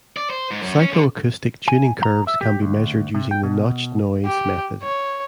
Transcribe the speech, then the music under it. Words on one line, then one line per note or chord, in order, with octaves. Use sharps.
Psychoacoustic tuning curves can be measured using the notched-noise method.
D5
C5
G#2
F#2
C#4
D3
G#5
A#5
E5
G4
D2
C3
G5
B2
G4
C#5